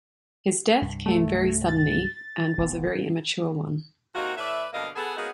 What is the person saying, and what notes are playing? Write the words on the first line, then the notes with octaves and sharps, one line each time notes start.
His death came very suddenly and was a very immature one.
C2 G2
A3
A6
E1 A1 B3
C3 A#3 D#4 F4 F#4
A2 B4 D5 E5
G2 B2 D3 A#3 D#5 F5
B3 G#4 A4
A#3 B3 C#4 D#4 F#4 G#4